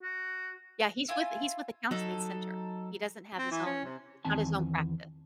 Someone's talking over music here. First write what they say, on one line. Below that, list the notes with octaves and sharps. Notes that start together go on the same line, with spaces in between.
Yeah, he's with he's with a counseling center. He doesn't have his own he's not his own practice.
F#4
E4 F4 G#5
F#3 D#4 A4
C4
E3
C#4
C3
E2 D#3 C4 G#5 A5